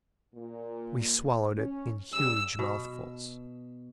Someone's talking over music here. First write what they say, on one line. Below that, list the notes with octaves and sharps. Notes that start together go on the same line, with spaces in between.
We swallowed it in huge mouthfuls.
A#2
C#4
F#2 C#3 G3 E6
B2